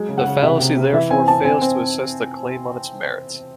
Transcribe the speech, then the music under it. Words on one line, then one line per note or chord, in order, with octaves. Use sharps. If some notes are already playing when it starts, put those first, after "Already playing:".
The fallacy therefore fails to assess the claim on its merit.
Already playing: F#3 G#3
C#3
F#5
C#3
C3 E5
C3
C3
E3 E5
C4 G#5
C4 A5
C4 G#5
C4